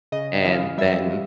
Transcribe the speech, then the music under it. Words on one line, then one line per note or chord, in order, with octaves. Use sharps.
and then
C#3 D#5
E3 F5
G3 E5